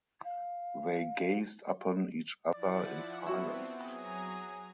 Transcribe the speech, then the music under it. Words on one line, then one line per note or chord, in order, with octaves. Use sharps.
They gazed upon each other in silence.
F5
F3 E4 D5 F#5
B3 C4 D4 E4 F#4
F#3 G#4 G#5 A#5